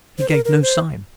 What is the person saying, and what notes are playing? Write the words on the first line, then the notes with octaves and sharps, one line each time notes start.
He gave no sign.
C5
A#4
A#4
C5